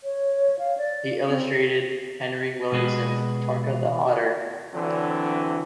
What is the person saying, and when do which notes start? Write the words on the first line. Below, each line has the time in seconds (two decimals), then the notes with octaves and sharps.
He illustrated Henry Williamson's "Tarka the Otter".
0.04 C#5
0.59 F5
0.78 D5
1.28 C4
2.72 B2 G#3 G#4 B4 D#5
4.73 D3 E3 F#3 C4 D4